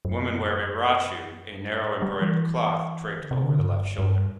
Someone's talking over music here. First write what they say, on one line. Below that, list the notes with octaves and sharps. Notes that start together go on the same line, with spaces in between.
Women wear a "rachu", a narrow embroidered cloth draped over the left shoulder.
F#2
G2
A2
G3
E3
D3
C3
D3
G2
G2